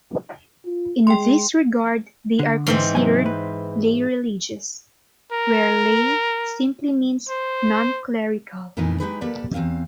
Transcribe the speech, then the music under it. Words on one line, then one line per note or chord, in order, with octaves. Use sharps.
In this regard they are considered "lay religious," where "lay" simply means "non-clerical".
F4
G#3 G5 C6
D3
G#2 E3 C4
C3 F#3 G#5
B4
A#4
C5
F2 A#2 E3 A3 B3 D#4
G#3 A3 D#4 G4 G#4 B4
A#3 G4 A4 B4 D5
E2 E3 C4 F5